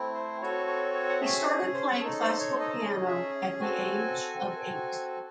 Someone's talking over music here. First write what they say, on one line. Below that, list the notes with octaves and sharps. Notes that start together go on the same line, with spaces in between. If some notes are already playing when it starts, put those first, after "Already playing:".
He started playing classical piano at the age of eight.
Already playing: A3 C4 E4
C5
C4 F#4 A4 C#5
C#5
C#5
F#5
C#4 G#4 E5
C5
D#4 A4
C5
C#5
D#5
C#4 G#4 D#5
E5
C4 F#4 A4 G#5
C4 F#4 A4